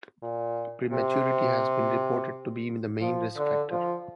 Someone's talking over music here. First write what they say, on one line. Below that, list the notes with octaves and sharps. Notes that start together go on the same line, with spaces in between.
Prematurity has been reported to be the main risk factor.
A#2
C3
F3
D3
F3